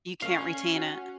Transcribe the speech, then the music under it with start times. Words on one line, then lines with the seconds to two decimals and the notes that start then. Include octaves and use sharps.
You can't retain it.
0.22 C#4 F5
0.72 F#4